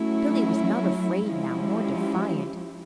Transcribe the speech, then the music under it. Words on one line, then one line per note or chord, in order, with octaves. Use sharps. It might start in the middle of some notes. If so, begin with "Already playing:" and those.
Billy was not afraid now, nor defiant.
Already playing: F#3 A3 C#4 E4
F3 G#3 C#4 E4 G4